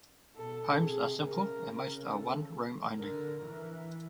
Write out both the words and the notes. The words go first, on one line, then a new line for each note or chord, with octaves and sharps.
Homes are simple and most are one room only.
B2 A4
C3 G#4
C#3 A#4
A4
D3 A#4
E3